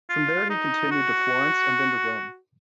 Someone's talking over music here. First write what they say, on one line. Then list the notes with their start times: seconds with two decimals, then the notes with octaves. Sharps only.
From there he continued to Florence and then to Rome.
0.10 F4
0.50 D#4
0.91 F#4